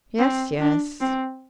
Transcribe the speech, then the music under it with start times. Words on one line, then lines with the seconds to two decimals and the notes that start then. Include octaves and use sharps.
"Yes, yes."
0.19 C4
0.60 D4
1.01 C4